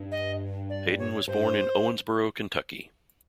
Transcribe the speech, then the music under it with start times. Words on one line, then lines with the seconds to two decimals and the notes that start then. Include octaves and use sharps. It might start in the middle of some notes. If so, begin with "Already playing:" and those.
Hayden was born in Owensboro, Kentucky.
Already playing: G2
0.12 D#5
0.70 D5
0.99 C#5
1.27 G2 C5